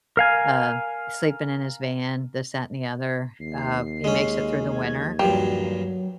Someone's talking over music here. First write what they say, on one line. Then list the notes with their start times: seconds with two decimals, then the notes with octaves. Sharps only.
uh, sleeping in his van, this, that, and the other, uh, he makes it through the winter,
0.17 A#4 F5 G#5
3.40 D#2 C7
4.04 G#3 C#4
4.72 G#6
5.19 G2 A#2 F3 F#3 G4